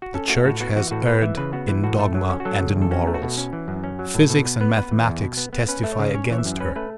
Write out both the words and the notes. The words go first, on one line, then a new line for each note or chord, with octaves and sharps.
The Church has erred in dogma and in morals; physics and mathematics testify against her.
F#4
C#4 A4
A3 F#4
A2 F#4
B3 F#4
E3 F#4
A2 F#4
B3 B4
E3 E5
C#3 B4
B3 F#4
E3 E4
A2 F#4
A3 A4
F#3
C#4
F#4
F#3 A4
C#3
E2
A4
C#4 F#4
A3
F#4
B2
C#4
E3
F#2
C#4
F#3
A2
B2 A4
B3 B4
B3 B4
B3 B4
E3
E2
B2
B3
B3
C#4 B4
A3 E5
C#5
C#3
C#4 C#5
E3 C#5
E5
F#2
C#4 B4
A3 B4